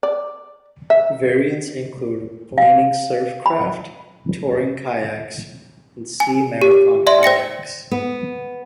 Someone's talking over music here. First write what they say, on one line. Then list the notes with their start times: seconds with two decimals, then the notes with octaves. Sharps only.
Variants include planing surf craft, touring kayaks, and sea marathon kayaks.
0.03 D5
0.90 E5
2.58 F5
3.46 B5
6.20 G#5
6.62 G4
7.07 D5 E5 C6
7.23 C5 G5 A#6 C#7
7.91 B3